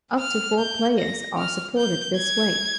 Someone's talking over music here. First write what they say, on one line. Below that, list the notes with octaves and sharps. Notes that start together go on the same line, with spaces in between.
Up to four players are supported this way.
F6
G6
A#6
F6
G6
G#6